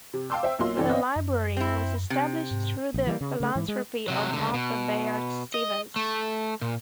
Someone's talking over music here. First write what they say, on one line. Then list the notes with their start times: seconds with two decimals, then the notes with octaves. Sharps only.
The library was established through the philanthropy of Martha Bayard Stevens.
0.14 C3
0.30 F5 G5 A5 C6 D6 E6
0.43 C5 E5 G5
0.59 B1 F#3 A#3 F4 C6
0.76 G1 D3 E3 C4
0.89 C4 D4 C#5 D#5 F5
1.16 F#2
1.57 C4 E4
2.10 C3
2.51 G#2
2.94 A#1
3.07 E3 G3 G#3 A#3
3.21 C#3
3.40 C#3 A3
3.55 G#2 E3
3.68 G#3
4.08 C3 F#3
4.33 C#2 D3
4.54 B2
5.54 D#5
5.96 A3
6.61 A#2